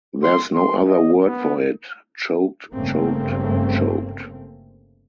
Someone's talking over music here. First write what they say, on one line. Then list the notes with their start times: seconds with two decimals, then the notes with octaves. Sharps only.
There's no other word for it - choked, choked, choked.
0.23 C6
0.54 C6
0.88 D#5
1.25 B3
2.75 G1 G2 C#3 A3 A#3 C4